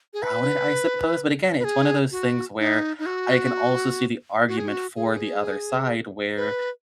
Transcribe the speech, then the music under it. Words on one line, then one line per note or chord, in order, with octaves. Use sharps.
about it, I suppose. But again, it's one of those things where I can also see the argument for the other side where
G#4
B4
B4
G#4
F#4
D#4
D#4
F#4
F#4
G#4
F#4
G#4
B4